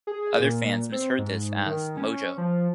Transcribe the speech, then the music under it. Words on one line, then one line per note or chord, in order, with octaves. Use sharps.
Other fans misheard this as "Mojo".
G#4
A#2
C4
G#2
D#3
C#4
F3